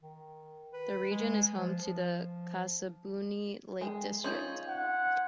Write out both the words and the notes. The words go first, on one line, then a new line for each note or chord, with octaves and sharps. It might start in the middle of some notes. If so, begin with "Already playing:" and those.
The region is home to the Kashubian Lake District.
D#3
B4
G#3
F3
F3
G#3
C#4 D#4 F4 C6 G6 G#6
F#5